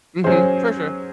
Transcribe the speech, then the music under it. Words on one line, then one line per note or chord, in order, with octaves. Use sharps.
Mhm. For sure.
F#3 C#4 G#4 C5